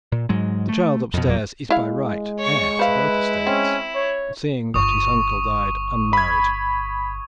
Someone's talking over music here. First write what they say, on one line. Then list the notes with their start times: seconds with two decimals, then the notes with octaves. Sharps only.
The child upstairs is by right heir to both estates, seeing that his uncle died unmarried.
0.12 A#2
0.29 G#2 F#3 G#3
0.69 A3
1.14 F2 B2
1.28 F1 E2 F#3 A#3
1.70 G#3 E4 F5
2.38 C#5 C#6
2.79 E4 B4 C5 F5
3.47 C4 C#4
3.95 C#5
4.74 G1 C#6 D#6
6.13 B5 G#6